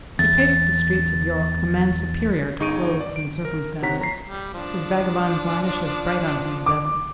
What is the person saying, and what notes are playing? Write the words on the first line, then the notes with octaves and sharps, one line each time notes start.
He paced the streets of York, a man superior to clothes and circumstances--his vagabond varnish as bright on him as ever.
E2 A6
G1 D#4 G#4 C#6 D7 D#7
D5
D7
A#4
C3 D#3 C#5 F#5 A#5 B6
C#5 A#5 C7
G3
F3 D4
D6